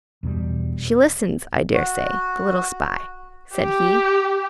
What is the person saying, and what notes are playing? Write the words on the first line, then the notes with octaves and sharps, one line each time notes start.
'She listens, I dare say, the little spy,' said he.
E2 B2 G3
F#4
G4